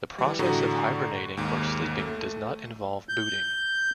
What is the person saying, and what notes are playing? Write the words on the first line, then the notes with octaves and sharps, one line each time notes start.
The process of hibernating or sleeping does not involve booting.
E3 G3
A2 D3 F#4 A#5
D#2 G#2
A3
G6